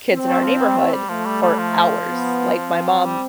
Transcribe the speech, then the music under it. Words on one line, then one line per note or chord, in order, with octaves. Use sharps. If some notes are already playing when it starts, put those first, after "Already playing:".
kids in our neighborhood for hours, like, my mom
C4
A3
F3
G3
A3
G3
F3 A3
G3
G3
F3
B3
C4
G3